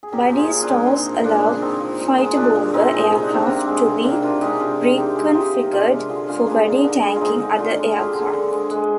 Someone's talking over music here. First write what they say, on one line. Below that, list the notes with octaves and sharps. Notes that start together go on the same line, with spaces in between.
Buddy stores allow fighterbomber aircraft to be reconfigured for "buddy tanking" other aircraft.
G#4
A#2 G4 A#4
F3
F4 G#4
A#2
D4 F4
G#3
A#2 C4 D#4
F3
A#2 A#3 D4
G#3
A#2 C4 D#4
F3
A#2
G#3
A#2 D4 F4
F3
A#2 C4 D#4
G#3
C3 D#4
D4
D#3 C4
C3 A#3 D4
G#3
C3
D#3 A#3 D4
C3 D4 F4
G#3 D#4 G4
C3 D4 F4
D#3
C3 D#4 G4
G#3
F4
C3 D#4 G4
D#3
C3 D4 F4
G#3
D3 F4 G#4
G#3 D4 F4
G#3 A#3 D4
D3 A#3 D4
D#4
D3 A#3 D4
G#3
F4
G#3 C4 D#4
D3
D3 D4 F4
G#3
G#3 F4 G4 G#4
D3
D3
G#3
G#3